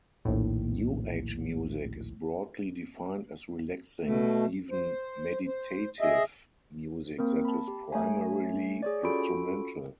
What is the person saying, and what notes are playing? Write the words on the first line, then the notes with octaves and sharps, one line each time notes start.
New-age music is broadly defined as relaxing, even "meditative", music that is primarily instrumental.
A#1 D#2 A2
B2 A3
C5
C5
G#4 D#5 E5
A#3 C4 A#4
A5 B5
G4
A3 C#5 G#5
G#4 C#5 D5
C#4 F4 F#4 A4 B5 D7